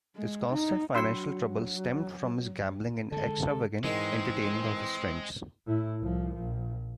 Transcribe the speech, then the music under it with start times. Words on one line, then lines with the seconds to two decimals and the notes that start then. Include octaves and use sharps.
His constant financial trouble stemmed from his gambling and extravagant entertaining of his friends.
0.16 G#3
0.53 D#4
0.95 F#3 D4 F#4 B5 C6 E6 C#7
3.12 D3 G#3 A4
3.84 G#2 D#3 E3 G#3 C4
5.66 A2 E4
6.00 C2 F3
6.35 A#1 F3